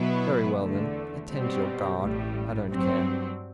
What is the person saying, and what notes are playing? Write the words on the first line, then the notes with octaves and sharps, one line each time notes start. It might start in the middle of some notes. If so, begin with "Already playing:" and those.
"Very well, then, attend to your guard; I don't care."
Already playing: B2 F#3 B3 E4 B4
E2 D3 A3
B2 G3 C4
A1 A2 G3
G2 F#3 C4